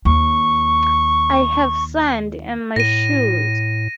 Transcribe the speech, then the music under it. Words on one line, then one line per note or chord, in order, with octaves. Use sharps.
I have sand in my shoes!
D#2 C#6
A2 A#6 D#7